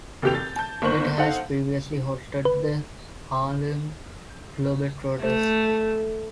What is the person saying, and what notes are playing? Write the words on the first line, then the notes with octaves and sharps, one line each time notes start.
It has previously hosted the Harlem Globetrotters.
F1 D#2 E3 G4 G6 F7
A6
A5 G6
G1 A#3 C5 C#6 F#7
D#4 A4 C5 F5 F#5
B4
A3